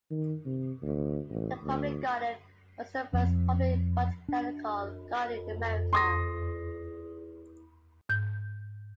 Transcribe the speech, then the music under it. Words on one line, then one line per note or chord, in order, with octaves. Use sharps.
The Public Garden was the first public botanical garden in America.
D#3
C3
D2
A1
D2
F2
D4
C6 D#6 A#6
G#2 G6